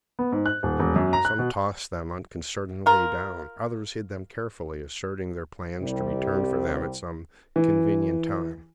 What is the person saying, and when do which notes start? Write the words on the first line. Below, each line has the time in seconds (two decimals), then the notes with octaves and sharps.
Some tossed them unconcernedly down; others hid them carefully, asserting their plans to return for them at some convenient time.
0.19 B3
0.32 G#2
0.46 F#6
0.63 D#1
0.79 E1
0.96 F#2
1.13 A#5
1.25 F#6
1.39 B2
2.86 F4 A#4
5.81 C2 C3 G3
7.56 E3